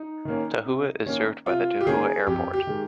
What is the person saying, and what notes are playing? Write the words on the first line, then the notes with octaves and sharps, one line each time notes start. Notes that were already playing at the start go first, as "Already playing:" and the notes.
Tahoua is served by the Tahoua Airport.
Already playing: D#4
D#3 A#3 C#4
C3
D#3 A#3 C#4
C3 F4
G4
D#3 A#3 C#4 G#4
F2 G4
G4
D#3 G#3